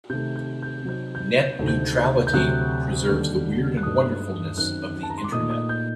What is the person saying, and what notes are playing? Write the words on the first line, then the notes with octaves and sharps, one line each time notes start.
Net Neutrality preserves the weird and wonderfulness of the Internet.
C3 D#3 A3 G6
G6
G6
C3 F#3 C4 D#4 G6
G6
G6
D2 C3 D#3 A3 C4
G6
G6
D2 C3 F#3 F#6
D#2 D3 G3
F#6
G2 F#3 A3 D#4 D#6
F#2 D#3 F#3 C4 F#6
A5
A#5
C6
D6
A#2 A3 D#4 D#6
D#6
G6